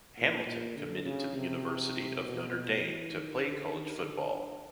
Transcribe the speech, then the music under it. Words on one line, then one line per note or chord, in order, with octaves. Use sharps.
Hamilton committed to the University of Notre Dame to play college football.
A#2
A#2
D3
C#3
C3
B2
E3
D#3
D3
D#3
D3